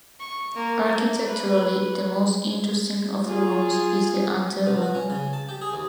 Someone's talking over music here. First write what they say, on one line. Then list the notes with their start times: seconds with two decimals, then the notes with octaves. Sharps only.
Architecturally, the most interesting of the rooms is the ante room.
0.20 C#6
0.55 A#3
0.87 A#3
1.25 B4
3.24 F4 G#4
4.66 B2
4.82 F#4
4.95 C#4
5.10 C#3
5.33 A5
5.49 G4
5.62 G#4
5.74 D#2